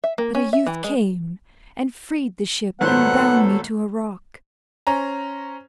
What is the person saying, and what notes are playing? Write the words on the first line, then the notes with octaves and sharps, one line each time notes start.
'But a youth came, and freed the ship and bound me to a rock.
E5
A#3
C#4
E5
E3
G#3
G#1 A#2 F#3 B3 A4 C5 F#5
C#4 C5 A#5